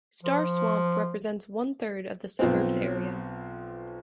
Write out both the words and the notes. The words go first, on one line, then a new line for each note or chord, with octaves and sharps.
Star Swamp represents one-third of the suburb's area.
F3
B1 F3 B3 C4